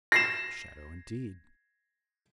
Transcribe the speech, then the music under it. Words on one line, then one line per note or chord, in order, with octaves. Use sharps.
A shadow indeed!
A#6 C7 E7